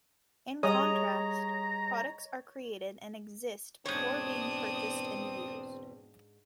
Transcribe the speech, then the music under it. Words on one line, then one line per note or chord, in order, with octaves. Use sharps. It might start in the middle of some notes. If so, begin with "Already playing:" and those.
In contrast, products are created and "exist" before being purchased and used.
G3 G#4 C#5 D#5 A#5 D#6
E2 G#2 B2 C4 D4 C#5 D#6